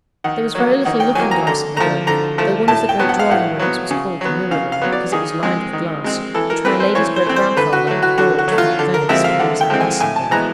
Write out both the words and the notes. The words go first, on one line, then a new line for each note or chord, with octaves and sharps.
There was very little looking-glass in the room, though one of the great drawing- rooms was called the "Mirror Room," because it was lined with glass, which my lady's great-grandfather had brought from Venice when he was ambassador there.
D#3 F#5
F#3 A#3
D#3 F#5
G5
F#3 A#3 G#5
A#5
D3 A#5
F3 A3 A#5
D3 A#5
F3 A3
A2 A5
G5
F#3 B3
F#5
F5
A2 F#5
F#3 B3
C#3
F#3 B3
C#3 F5
F5
F#3 B3
D5
D#3 G#4
G#3 C4 G#4
D#3
G#3 C4
E3 A4
A#4
A3 C4 B4
C5
E3 C#5
C5
A3 C4
C5
D3 B4
F#4
F#3 A3
F#4
D3 F#4
F#4
F#3 A3
F4
D3
A#4
F3 G#3 C4 E5
F5
D3 F#5
G5
F3 G#3 C4
G#5
A2 G#5
A5
E3 G#3 B3 A#5